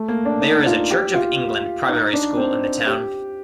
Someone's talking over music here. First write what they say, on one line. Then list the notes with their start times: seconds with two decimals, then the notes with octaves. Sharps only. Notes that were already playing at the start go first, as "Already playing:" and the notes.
There is a Church of England primary school in the town.
Already playing: A3
0.08 A#3
0.25 D4
0.42 D#4
0.66 F4
0.91 G4
1.14 F4
1.89 D#4
2.13 D4
2.37 C4
2.86 G4